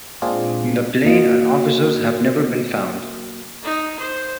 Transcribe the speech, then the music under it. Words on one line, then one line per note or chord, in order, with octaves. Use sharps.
The plane and officers have never been found.
A#2 G#3 C4 D4 F4 G#4
A#3 F#4 A#4 D#5 F5
D#4
C5